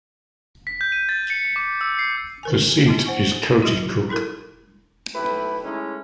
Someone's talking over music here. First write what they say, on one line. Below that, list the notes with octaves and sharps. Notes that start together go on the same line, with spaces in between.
The seat is Coaticook.
B6
G6
D#7
A6
C#7
D6
E6
C7
D#3 A#4 G#5
G3 B3 E4 F4 A5
C5 F#5 G#5 C#6
F#3 G3 E4 F#4
D#4 E4 A4 A#4
B1 A3 E4 G4 B4
G#3 A3 C#4 D#4 E4